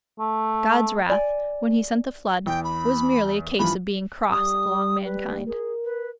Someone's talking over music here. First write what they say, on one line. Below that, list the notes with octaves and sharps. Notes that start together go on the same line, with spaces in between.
God’s wrath, when He sent the Flood, was merely a case of being cross along mankind.
A3
D5 G#5
E2 G5
B5
G2 E3 F3 B5
G3 D#6
B4
G#4 A#4
B4